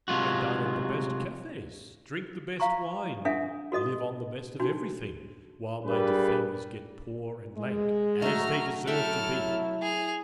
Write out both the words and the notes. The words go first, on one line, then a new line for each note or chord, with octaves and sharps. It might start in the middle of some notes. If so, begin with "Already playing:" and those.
I dine at the best cafes, drink the best wine, live on the best of everything, while my defamers get poor and lank, as they deserve to be.
C3 G#3 F4 F#4
F5 A#5 C#6
D4 A4 E5 F#5 G#5
F#4 A4 D#5 D#6
D4 D#4 F#4
G2 G3 G#4 A#4 B4
G#3
F#3 A3 A#5 F6
F#3 E4 A4 E5 F#5 G5 F6
G#4 F7